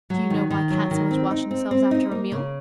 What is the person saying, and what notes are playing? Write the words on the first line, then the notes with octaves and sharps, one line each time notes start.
Do you know why Cats always wash themselves after a meal?
F#3
D#3
D#3
F#3
D#3
C4
D#4
C4
C4
D#4
A#3
C#3